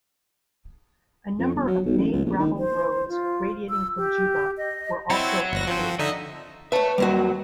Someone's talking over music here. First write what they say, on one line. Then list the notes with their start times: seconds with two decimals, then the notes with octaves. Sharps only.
A number of main gravel roads radiating from Juba were also improved.
1.39 F2
1.55 G1
1.67 F#3
1.86 B1
1.98 A1
2.12 C#2
2.25 A#1
2.39 D#3
2.57 C5
3.08 F4
3.70 E6
3.97 G4
4.58 D#5
5.10 C4 E4 F#4 C#5 A6
5.52 G1 A#6
5.67 F3 C4
5.99 D3 D#4 D#5 E5
6.72 B4 C#5 E5 A5
6.98 D#2 F#3 G3 C4 F#4